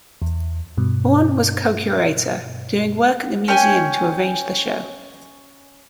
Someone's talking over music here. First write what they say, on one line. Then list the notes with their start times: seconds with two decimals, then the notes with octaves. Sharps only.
Bourne was a co-curator, doing work at the museum to arrange the show.
0.22 E2
0.78 G2 B2
3.48 C#4 G5 G#5